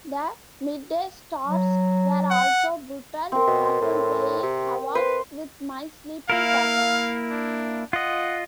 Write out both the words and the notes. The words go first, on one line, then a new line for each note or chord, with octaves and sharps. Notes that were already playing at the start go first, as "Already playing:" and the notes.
The midday starts were also brutal, often playing havoc with my sleeping patterns.
F#3
F#5
C4 A#4
B2
A2
C3
B4 C5
A#3 E4 A#4 F5
D4
F4 D#5 F#5